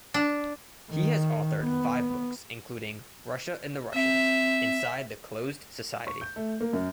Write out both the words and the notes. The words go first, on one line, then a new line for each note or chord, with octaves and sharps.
He has authored five books, including "Russia and the Russians: Inside the Closed Society".
D4
D#3
B3
C4 E5
C#6
G6
A3
A#3
F#2